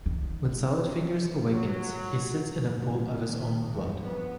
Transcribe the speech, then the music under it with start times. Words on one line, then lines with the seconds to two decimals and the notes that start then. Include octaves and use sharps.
When Salad Fingers awakens he sits in a pool of his own blood.
0.06 D#3
1.52 F#3
2.58 G#1
2.95 A2
3.26 A#2 D#3
3.67 E2 G2
4.03 F2 B3